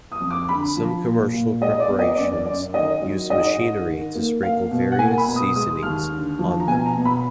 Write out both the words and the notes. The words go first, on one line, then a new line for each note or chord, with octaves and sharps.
Some commercial preparations use machinery to sprinkle various seasonings on them.
D#6
F2
D6
D3 B5
F3
A#2
A#2
G#3 D#5
D5
B3
D#5
F#2 D5
D5
F#2 D5
D#3 D#5
F#3
G#2 D#5
G#2
D#3
A#3
A#3 F5
B2
F#5
A#3 G#5
B5
B2
D#6
G#3 D#6
D#2 F6
D3
F3
A#5
B2 G#5
A#5
B2
B5